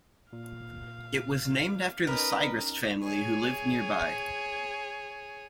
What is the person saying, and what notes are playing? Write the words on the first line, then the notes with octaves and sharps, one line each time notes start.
It was named after the Siegrist family who lived nearby.
A#2 F5
C#4 D#4 A#4 B4 D#5
G#4 C#5